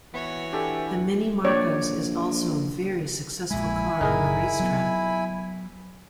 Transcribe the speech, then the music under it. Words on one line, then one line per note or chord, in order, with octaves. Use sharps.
The Mini Marcos is also a very successful car on the race track.
E3 B3 F#4 C#5
D4 G4 A4 B4 G#5
A#1 C#5 D5
A#1 G#3 E4 G#5 B5
F#1 A#2 D#4 G#4 A#4
F#3 B3